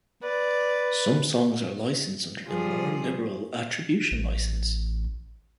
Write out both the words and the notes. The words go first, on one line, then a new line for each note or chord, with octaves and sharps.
Some songs are licensed under the more liberal Attribution license.
B4 D5
F3 G3 G#4
A1